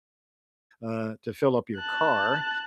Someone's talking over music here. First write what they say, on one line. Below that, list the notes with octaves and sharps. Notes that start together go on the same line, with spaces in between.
uh, to fill up your car,
A5 F#6